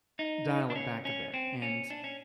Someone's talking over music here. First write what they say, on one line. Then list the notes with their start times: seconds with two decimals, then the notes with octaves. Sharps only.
dial it back a bit." And
0.19 D#4
0.70 D4
0.76 C#4
1.05 C#4
1.34 C4
1.62 C#4
1.90 D4
2.04 C#4